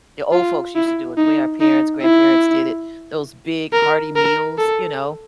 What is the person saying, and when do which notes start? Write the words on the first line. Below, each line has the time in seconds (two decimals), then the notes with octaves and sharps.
the old folks used to do it, the way our parents, grandparents did it, those big hearty meals, you know,
0.32 F4
0.75 E4
1.18 D#4
1.60 D#4
2.03 E4
3.73 A#4
4.16 A#4
4.58 A4